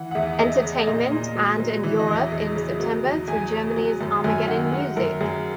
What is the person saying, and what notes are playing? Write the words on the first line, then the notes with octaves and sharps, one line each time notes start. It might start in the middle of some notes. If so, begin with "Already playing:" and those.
Entertainment and in Europe in September through Germany's Armageddon Music.
Already playing: E3 F#5
F#5
E2 E5
E5
E2 D#5
C#3
A#2 D#5
A#2
F#3
F#3
E3
D#5
E2
E5
E2
C#3
F#3
E2
E2 G#5
C#3
F#3
F#2
F#2 G#5
D#3 F#5
F#3 F#5
F#2 A#4
F#2 G#4